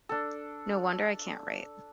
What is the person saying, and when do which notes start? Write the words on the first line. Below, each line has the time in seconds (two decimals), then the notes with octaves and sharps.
No wonder I can't write!
0.09 D4 A4